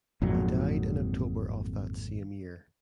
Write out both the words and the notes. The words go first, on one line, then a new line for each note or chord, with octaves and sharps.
He died in October of that same year.
G#1 F2 A#2 F#3